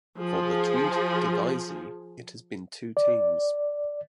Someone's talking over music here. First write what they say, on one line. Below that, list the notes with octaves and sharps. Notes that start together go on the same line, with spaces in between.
For the Tweede Divisie it has been two teams.
F3 G#4
D5